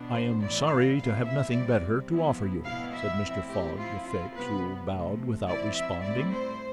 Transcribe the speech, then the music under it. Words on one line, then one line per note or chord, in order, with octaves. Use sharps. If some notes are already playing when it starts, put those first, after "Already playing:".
"I am sorry to have nothing better to offer you," said Mr. Fogg to Fix, who bowed without responding.
Already playing: B2 B3 D4
C5
A2 E3 B3 E4 D5
F5
C3 F3 B3 E4 F5
E5
C3 G3 C4 D5
F3 B3 E4
B2 B3 E4 F5
E5
A2 F3 C4 E4
G4
F3 C4 E4 F4
F4
C3 G3 B3 B4
C3 F3 A3
F3 C4 E4 D5
E5
A2 G3 C4 E4 D5
C5